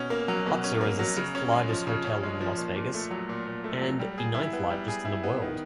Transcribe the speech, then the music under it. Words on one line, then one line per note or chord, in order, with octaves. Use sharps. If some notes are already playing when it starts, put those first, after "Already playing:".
Luxor is the sixth-largest hotel in Las Vegas and the ninth-largest in the world.
Already playing: B2 C#4
A#3
F#3
B2
C#4
A#3
F#3
C#3
C#4
G#3
F3
C#3
C#4
G#3
F3
A#2
A#2
A3
F#3
A#2
A#2
A3
F#3
G3
G#4
E4
B3
G3
G#4
E4
B3
D#3